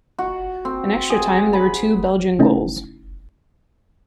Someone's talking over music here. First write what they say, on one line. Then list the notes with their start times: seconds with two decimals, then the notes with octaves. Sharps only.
In extra time, there were two Belgian goals.
0.19 F#4
0.65 C4
1.10 G#4
1.53 B5
2.39 C#3 A3 C#4 D#4 E4